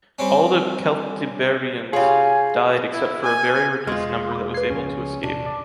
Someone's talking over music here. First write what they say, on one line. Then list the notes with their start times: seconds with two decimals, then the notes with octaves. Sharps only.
All the Celtiberians died except for a very reduced number that was able to escape.
0.19 G3 C4 C#4
1.93 C#4 F4 G4 G#4 C#5 F5 G#5
2.92 E4
3.22 G#5
3.87 E1 G#3 F4 C#6 F6
4.31 B5 D6
4.54 B4 G#6 C7
4.70 C#2 C#3 F3 C#4
5.23 A#1 E2 C3 D4
5.46 D5